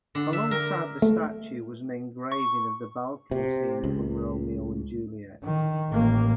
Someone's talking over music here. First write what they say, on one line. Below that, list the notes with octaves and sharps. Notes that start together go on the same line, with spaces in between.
Alongside the statue was an engraving of the balcony scene from "Romeo and Juliet".
D3
E5
A#4
A3
C#6
C3
C#2
D#3
A1 A#3